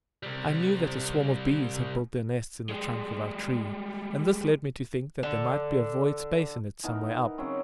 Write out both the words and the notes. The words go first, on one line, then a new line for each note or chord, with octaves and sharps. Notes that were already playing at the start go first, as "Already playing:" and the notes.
I knew that a swarm of bees had built their nest in the trunk of our tree, and this led me to think that there might be a void space in it some way up.
C3 G3
G3 G#3
D3
E3 B3 D#4 A#4
A#4
C#3 F#3 C4